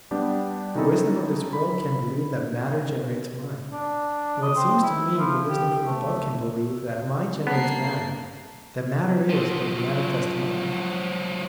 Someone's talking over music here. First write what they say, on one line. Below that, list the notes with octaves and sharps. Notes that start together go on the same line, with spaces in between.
The wisdom of this world can believe that matter generates mind: what seems to me the wisdom from above can believe that mind generates matter--that matter is but the manifest mind.
G3 B3 D4 G4
D#3 C#4 D#4 E4 A4
B5
D4
D#5
C4
E4
F3
G4
A3
A#3 B3 A5 C7
F3 F#3